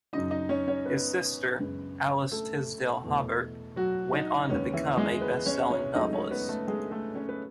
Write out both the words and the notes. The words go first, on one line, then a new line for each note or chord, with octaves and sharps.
His sister, Alice Tisdale Hobart, went on to become a bestselling novelist.
F#2 C#3 F#3 D#4 D#5
D#4 D#5
C#4 C#5
C#4 C#5
B3 B4
F#2 C#3 G#3 B3
A3 A4
E2 B2 A3
F#3 F#4
D#4
D#2 C#3 G#3 B3 C#4
E3 E4
G#3 G#4
B3 B4
C#4 C#5
C#4 C#5
C#2 C#3 F#3 A3 D#4 D#5
C#4 C#5
B3 B4
A3 A4
G#3 G#4
A3 A4
C#4 C#5
B4